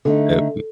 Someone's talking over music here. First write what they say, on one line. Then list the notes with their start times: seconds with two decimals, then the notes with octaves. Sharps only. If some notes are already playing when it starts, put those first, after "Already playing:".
That'd be
0.05 D3 A3 D#4 A4